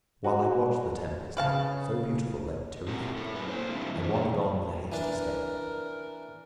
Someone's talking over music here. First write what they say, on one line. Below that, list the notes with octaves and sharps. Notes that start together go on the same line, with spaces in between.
While I watched the tempest, so beautiful yet terrific, I wandered on with a hasty step.
F#4
C#3 B4 F5 A5
A3 C4 F#4 G4 A#4
E4 A4
F#2 A#2 C#4 G#4 B4
A#3 C5
A2 D3 G3 C4 E4 F4
E2 D3 E3 F3
E3 D4 A#4